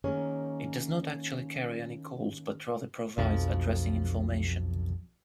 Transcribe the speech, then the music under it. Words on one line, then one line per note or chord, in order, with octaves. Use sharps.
It does not actually carry any calls, but rather provides addressing information.
D#3 A#3 C#4 G#4 A#4 C#5
B1 F2 F3